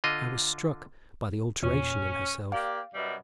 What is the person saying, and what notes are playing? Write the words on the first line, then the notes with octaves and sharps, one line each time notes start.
I was struck by the alteration in herself.
D3 F4 D#5
E2 A#2 C#4
A#3 G4 D5 F5
F#2 B2 G3